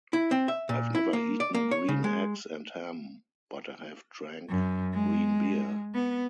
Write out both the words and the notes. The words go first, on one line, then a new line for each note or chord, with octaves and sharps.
I've never eaten green eggs and ham, but I have drank green beer.
E4
C4
E5
A#2
E4
A#3
D5
A#3
C#5
C#3
G#3
F#2
G#3
B3